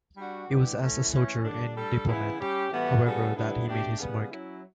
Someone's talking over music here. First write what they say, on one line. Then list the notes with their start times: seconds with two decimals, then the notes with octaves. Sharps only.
It was as a soldier and diplomat, however, that he made his mark.
0.16 G3 D4 F#4
0.48 D3 G3 B3 E4 G4
0.79 E3 A3 C#4 E4 A4
1.12 E3 A3 C#4
1.44 D3 G3 D4
1.75 G3 D4 A4
2.07 C#3 E3 B3 E4
2.39 G3 C#4 G4
2.71 A2 E3 G3 B3 F#4
3.03 C#3 G3 B3 F#4 A4
3.34 D3 G3 B3 E4
3.66 B2 A3 D4 G4
3.98 C#3 G3 B3
4.30 F#3 C#4 E4